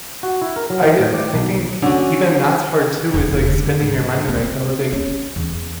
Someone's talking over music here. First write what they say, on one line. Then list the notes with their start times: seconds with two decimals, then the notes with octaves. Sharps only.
I ju I think even that's hard too is, like, spending your money right though, like,
0.23 F#4
0.42 E4
0.56 A#4
0.70 F#3
0.83 E3
0.99 A2
1.14 G4
1.34 B1
1.82 D3 C#4 F#4
3.14 E1
3.47 D3
3.81 G#2
4.28 C4
4.92 C#4
5.36 E2